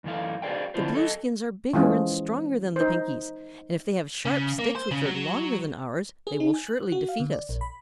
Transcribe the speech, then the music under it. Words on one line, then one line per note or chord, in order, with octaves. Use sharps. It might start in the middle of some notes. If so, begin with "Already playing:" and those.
"The Blueskins are bigger and stronger than the Pinkies, and if they have sharp sticks which are longer than ours they will surely defeat us."
F#2 E3 A3 F5
F#4 G#4 C5 D5 F5 G5
D3 C4 D4 E4 F4 C5
F#3 A4 D#5
E3 F3 G#3 C#4
D#4 C5
C#3
A#3
C5
C#3
F#3
G#4
D#4
G#5
F#6
F#4
F5
D3
D5
A#1
B5